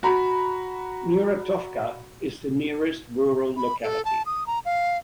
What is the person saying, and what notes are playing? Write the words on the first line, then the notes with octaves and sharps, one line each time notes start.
Muratovka is the nearest rural locality.
F#4 A#5 B5
B5
A4
A5
D#6
A#5
F5